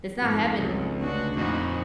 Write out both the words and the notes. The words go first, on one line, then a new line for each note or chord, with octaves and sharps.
It's not heaven.
F2 G#2
C#2
D2 D4 F#4
F2 A#2 D#4 F#4